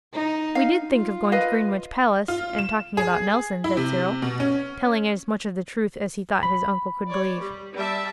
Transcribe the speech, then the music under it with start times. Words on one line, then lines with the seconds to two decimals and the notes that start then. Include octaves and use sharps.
'We DID think of going to Greenwich Palace and talking about Nelson,' said Cyril, telling as much of the truth as he thought his uncle could believe.
0.13 D#4
0.55 F5
0.88 F4
1.32 B4 D#5 F5
2.28 F4
2.59 E7
2.97 G#4
3.64 E4
3.77 C3
4.22 B2
4.40 C#4
6.43 B5
7.09 C#5 D5
7.40 G3
7.75 G3 E5 A5